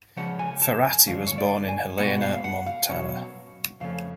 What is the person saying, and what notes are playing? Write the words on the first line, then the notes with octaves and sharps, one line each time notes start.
Ferratti was born in Helena, Montana.
C#3 F3 G#3 C#4 F#5
G#5
A5
G#5
F2 D3 G#3 C#4 F5
C#5
D5
G#5
B2 G#3 B3 F#5
F5
F#5
F5
B2 F#3 C#4 C#5
F2 C#3 F3 A3 C#4 F5